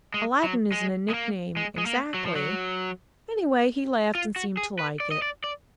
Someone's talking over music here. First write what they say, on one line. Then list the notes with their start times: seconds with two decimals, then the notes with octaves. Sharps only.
"Aladdin isn't a nickname exactly; anyway, he laughed and seemed to like it."
0.14 G#3
0.44 F#3
0.72 G#3
1.10 G#3
1.14 A#3
1.57 G#3
1.78 G#3
1.86 A#3
2.14 F#3
2.26 F3
2.36 F#3
4.15 F4
4.36 F#4
4.57 G#4
4.79 B4
5.00 D5
5.11 D#5
5.22 D5
5.44 D5